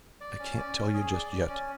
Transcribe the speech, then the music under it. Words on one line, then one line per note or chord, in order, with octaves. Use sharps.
I can't tell you just yet.
D5
C#4
D5
C#4
G#4
D5
D5
C#4